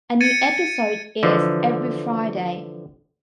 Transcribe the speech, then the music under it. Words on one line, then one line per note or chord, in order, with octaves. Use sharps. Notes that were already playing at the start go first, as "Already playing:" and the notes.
A new episode airs every Friday.
G#6 A6 C#7 D#7
D3 E3 F3